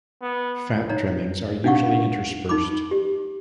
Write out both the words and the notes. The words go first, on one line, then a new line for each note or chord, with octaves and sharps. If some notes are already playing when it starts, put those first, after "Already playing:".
Fat trimmings are usually interspersed.
B3
D#4 C#5 A#5
D4 D#4 F5 F#5 C#6
D#4 B5 D6
G4